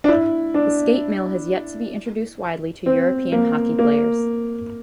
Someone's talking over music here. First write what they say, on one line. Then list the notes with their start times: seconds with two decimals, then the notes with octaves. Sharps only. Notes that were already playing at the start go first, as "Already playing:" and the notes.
The skatemill has yet to be introduced widely to European hockey players.
0.04 D4
0.08 E4
0.54 D4
2.86 C4
3.32 A#3
3.79 A#3